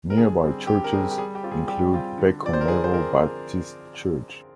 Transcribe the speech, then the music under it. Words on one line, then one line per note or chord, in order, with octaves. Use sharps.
Nearby churches include Bacon Level Baptist Church.
A#4
D3 G#4
G3 C4
D3 G4
A#4
G3 C4 G#4
G4
G3 G#4
G4
C4 F4
G#4
G3 G4
C4 F4
D3
F3 C4 D5
C5
A#4
D3 G#4
C5
F3 C4 A#4